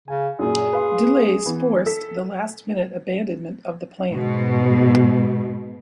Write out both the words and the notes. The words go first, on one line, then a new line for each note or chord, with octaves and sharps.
Delays forced the last-minute abandonment of the plan.
C#3 G#5
F#2 A#2 G#4
B4 F5 C6
E3 B3
A4 B6
G#2 B2